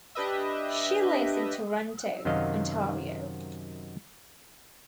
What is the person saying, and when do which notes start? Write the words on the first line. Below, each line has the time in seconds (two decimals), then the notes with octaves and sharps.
She lives in Toronto, Ontario.
0.15 D4 G4 B4 D#5 E5
2.25 F#2 C3 D#3 F#3 D#5 F5